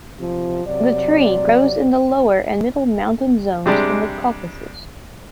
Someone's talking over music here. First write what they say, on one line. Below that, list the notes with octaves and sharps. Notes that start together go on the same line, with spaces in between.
The tree grows in the lower and middle mountain zones in the Caucasus.
C3 F3
C3 F#3 D5
C3 G3 G#3 D4 G4